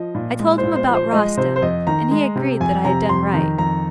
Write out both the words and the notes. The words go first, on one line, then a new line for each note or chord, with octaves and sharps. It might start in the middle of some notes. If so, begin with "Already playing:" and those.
I told him about Rasta, and he agreed that I had done right.
Already playing: F3 D#5
A#2
G#3
C5
A#2
C5
F3
C5
G#3 D#5
C3 C5
C5
F2 D#5
D#3 A#5
G#3
C3
F2 G#5
C3 A#5
F2 C6
D#3 A#5
F2 A#5